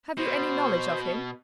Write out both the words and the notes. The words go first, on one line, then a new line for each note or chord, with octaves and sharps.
"Have you any knowledge of him?"
B2 C5